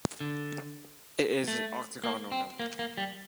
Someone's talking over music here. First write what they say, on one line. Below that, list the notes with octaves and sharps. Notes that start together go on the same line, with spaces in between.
It is an octagonal number.
D3
A3
A#3
C4
A#3
A#3
G3